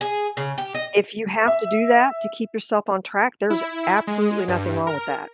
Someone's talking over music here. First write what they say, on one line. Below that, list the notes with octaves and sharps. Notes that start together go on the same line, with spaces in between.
If you have to do that, to keep yourself on track, there's absolutely nothing wrong with that.
G#4
C#3
G4
D#5
E5
E4
G#3
G2
A#4